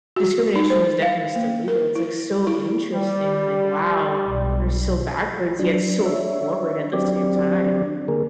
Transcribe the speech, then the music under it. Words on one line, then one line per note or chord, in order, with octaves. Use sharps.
discrimination was definitely still legal, it's like so interesting, like, "Wow, we were so backwards yet so forward at the same time."
F#4
D#4
C5
F5
A#3
A#4
E4
E4
G3
B1
F#3 D4
D4 C#5 E5
F#3 C4 D4 G4 D5
D3 A#3 G#4 A#4